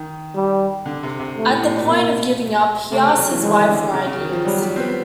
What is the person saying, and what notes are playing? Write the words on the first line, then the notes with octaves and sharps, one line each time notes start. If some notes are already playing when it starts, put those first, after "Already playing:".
At the point of giving up, he asked his wife for ideas.
Already playing: D#3
G3
D3
C3
C3
A3
A2
A2
A#2
B2 A#3
C3 A3
C#3
F#3
E3
D#3 G#3
D3
C#3
C#3
D#3
F3
F#3 G3
G3
C4
B3